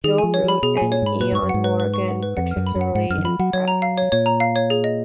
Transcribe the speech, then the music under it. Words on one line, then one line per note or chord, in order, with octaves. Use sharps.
Joe Root and Eoin Morgan particularly impressed.
D#3 G#4
G#5
F3
C#5
F3 B5
B2 G#4
A#2 G#5
C#5
G#2 B5
A#2 B4
G#2 C#6
F#2
G#2 F#5
B4
B4
C#6
F#5
B4
F2 F#5
F6
F#2
B5
F#2
F#5
G#2 F#5
F#2 F6
D#3
F3 B5
F#3 F#5
F#3 C#5
A#5
F5
C#5
A#2 C#5
A#5
F5
C#5
G#4
D#5